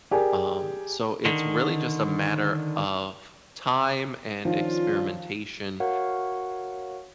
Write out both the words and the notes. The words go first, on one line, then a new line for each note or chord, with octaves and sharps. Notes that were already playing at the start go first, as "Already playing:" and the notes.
Um, so it's really just a matter of time and experimentation
G4 G#4 A#4 D5 G#5
D3 D#3
D#3 F3 C#4 D4 F4
F#4 A#4 C#5 F5 F#5